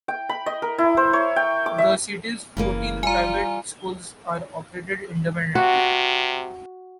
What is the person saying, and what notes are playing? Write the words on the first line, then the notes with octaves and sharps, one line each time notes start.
The city's fourteen private schools are operated independently.
G5
B5
D#5
A#4
E4
C5
C#5
G5
D6
E5
F#1 C#3 E3 A#3
G3 F4 G#5 A#5
C3 F#4